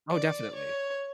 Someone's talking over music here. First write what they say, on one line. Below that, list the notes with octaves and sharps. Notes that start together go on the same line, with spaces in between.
Oh, definitely.
D5
C#5